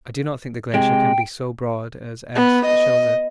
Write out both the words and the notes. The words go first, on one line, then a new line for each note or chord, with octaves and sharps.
I do not think the glacier can be so broad as S. shows it.
C3 G#3 G5
B3
D#5